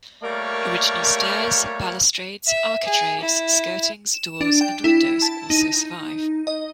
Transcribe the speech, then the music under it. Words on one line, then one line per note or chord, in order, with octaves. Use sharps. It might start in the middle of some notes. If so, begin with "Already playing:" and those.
Original stairs, balustrades, architraves, skirtings, doors and windows also survive.
G3 A3 A#3 A#4 C#5 D5
E5
G#4
E4
E7
D4
G5
E4
A5
D#4
D#5